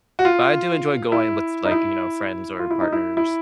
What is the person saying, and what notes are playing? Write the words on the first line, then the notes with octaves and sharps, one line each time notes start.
but I do enjoy going with like, you know, friends or partners
F#4
F4
E4
D#4
E4
F4
E4
D#4
E4
E4